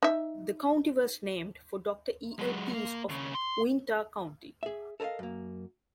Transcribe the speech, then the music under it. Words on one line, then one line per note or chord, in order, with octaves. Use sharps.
The county was named for Doctor E. L. Pease of Uinta County.
D#4 E5
F#3 G#3
A#3
D#2 C#3
C6
G#4 E5
A4 A#4 C5 D#5 F5
F#2 A#3